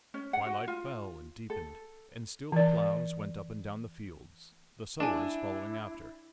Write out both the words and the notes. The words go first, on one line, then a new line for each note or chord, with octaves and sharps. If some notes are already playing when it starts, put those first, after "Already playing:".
Twilight fell and deepened, and still the ploughs went up and down the fields, the sowers following after.
C#4
F#5
F#4
F4
A4
E3 D5
D4 E4 G#5 A5